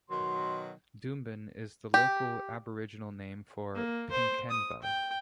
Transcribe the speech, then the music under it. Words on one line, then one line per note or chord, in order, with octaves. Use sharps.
Doomben is the local Aboriginal name for Pinkenba.
B2 D#3 F#3 C6
G4
A#3
C5
D#6
G5